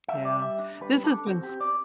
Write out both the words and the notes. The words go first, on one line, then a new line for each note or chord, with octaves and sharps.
Yeah, this has been s
G3 E5
D5
G3
E5
D4
G3 B4
D4 A4
C4 F#4
G4
C4
D5